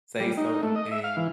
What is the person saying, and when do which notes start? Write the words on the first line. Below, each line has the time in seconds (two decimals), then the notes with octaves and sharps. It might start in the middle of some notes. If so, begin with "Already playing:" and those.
say certain things,
0.20 G3
0.37 D#4
0.63 A3
0.76 D#5
0.91 E5
1.04 F5
1.17 E3